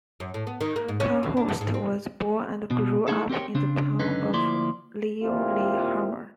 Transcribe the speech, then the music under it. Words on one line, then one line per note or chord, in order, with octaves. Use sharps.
Kai Holst was born and grew up in the town of Lillehammer.
F#2
A2
B3
D#3
A#3
G#2
C#4
B2
D4
F#2
G#2
C4
B2
A3 C4 D#4 E4 G#4 A4
C4 G4 A#4 C#5 G5
C#3 C4 D4
C#2 F#2 D3 C#4 D#4 B4
D2 F3 A#3 E4 D5 C6
D#2 A#2 C4 E4 F4 G4